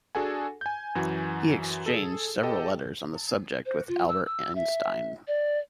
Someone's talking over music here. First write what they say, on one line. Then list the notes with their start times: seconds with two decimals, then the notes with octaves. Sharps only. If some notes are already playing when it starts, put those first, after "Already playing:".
He exchanged several letters on the subject with Albert Einstein.
0.15 D4 F#4 G#4 A4 F#5 G#5
0.61 G#5 G6
0.95 F#2 E3 F#4 G#5
1.86 G#4 A4
2.43 G4 A4 D#5 G5
3.66 C5
3.88 F4
4.08 E6
4.26 E6
4.55 E5
5.28 D5